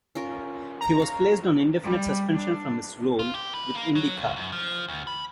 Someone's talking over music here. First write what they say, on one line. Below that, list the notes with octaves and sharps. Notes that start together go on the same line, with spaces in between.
He was placed on indefinite suspension from his role with IndyCar.
C#4 F4 A#4
A#5
C#5 F5
G3
D4
F4
G4
B4
A#3
F#3
C#2
F#2
F3
D2
B5